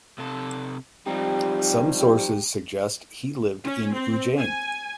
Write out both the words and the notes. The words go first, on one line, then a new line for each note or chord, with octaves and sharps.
Some sources suggest he lived in Ujjain.
C3 A4
F3 G3 C4 D#4 G4
G4
C#4
C4
G#5